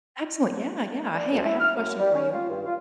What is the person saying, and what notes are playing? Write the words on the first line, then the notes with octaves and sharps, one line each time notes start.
Excellent. Yeah, yeah. Hey. I have a question for you.
D4
D2
E4
F6
F#2
G3
C#4
F4
G2
F4